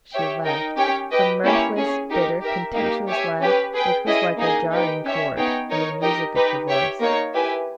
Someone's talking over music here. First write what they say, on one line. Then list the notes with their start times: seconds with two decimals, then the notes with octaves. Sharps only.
She laughed--a mirthless, bitter, contemptuous laugh, which was like a jarring chord in the music of her voice.
0.12 G4 C#5 E5 G5
0.44 D#4 A#4 D#5 G5
0.78 C#4 G4 C#5 G5
1.11 G4 B4 D#5 G5
1.44 A#3 C#4 E4 G4 C#5
1.76 C#4 G#4 C#5
2.09 D#4 G4 A#4
2.41 G4 A#4 E5
2.74 A#3 D#4 G4
3.08 G4 C#5 E5 G#5
3.40 C#4 G4 B4
3.73 G#4 B4 G5
4.05 C#4 E4 G#4 D#5
4.38 A#3 D#4 G#4 D#5
4.71 D#4 G4 B4 G5
5.04 C#4 G4 C#5 E5
5.36 B3 D#4 G#4 C#5 G5
5.70 D#4 A#4 C#5
6.02 D#4 G4 A#4 D#5 G5
6.35 D#4 G4 B4
6.68 G4 C#5 E5 G5
7.01 A#3 D#4 A#4 C#5
7.33 E4 G4 B4 E5 G#5